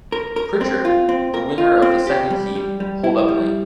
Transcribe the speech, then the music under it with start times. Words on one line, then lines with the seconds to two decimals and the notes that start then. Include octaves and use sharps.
Pritchard, the winner of the second heat, pulled up lame.
0.12 A#4
0.36 A#4
0.61 C4
0.85 F4
1.09 C4
1.34 A#4
1.58 F4
1.82 C4
2.07 G4
2.30 G3
2.56 G3
2.80 G3
3.04 E4
3.29 G3